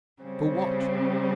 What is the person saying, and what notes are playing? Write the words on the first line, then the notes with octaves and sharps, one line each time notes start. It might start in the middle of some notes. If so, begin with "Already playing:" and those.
For what?
C#3 G3 C4